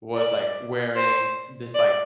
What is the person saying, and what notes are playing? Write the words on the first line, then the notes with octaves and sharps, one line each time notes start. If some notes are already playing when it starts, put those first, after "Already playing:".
was, like, wearing this, like,
D5
C5
D5